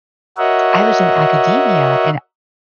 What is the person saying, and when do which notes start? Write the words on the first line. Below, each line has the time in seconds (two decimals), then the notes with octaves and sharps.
I was in academia, and
0.37 F#4 A#4 C#5 D#5 E5 F#5